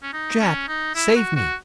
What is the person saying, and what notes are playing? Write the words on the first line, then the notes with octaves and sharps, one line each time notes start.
Jack! save me!'
C#4
D#4
C#4
D#4
E4
F#4
F#4